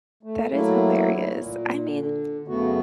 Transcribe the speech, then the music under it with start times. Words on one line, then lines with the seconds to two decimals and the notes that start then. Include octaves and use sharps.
That is hilarious. I mean,
0.23 A3
0.52 F#3 A3 A#3 E4
1.34 A#2
1.91 D3
2.48 F#2 C#3 A3 B3 F#4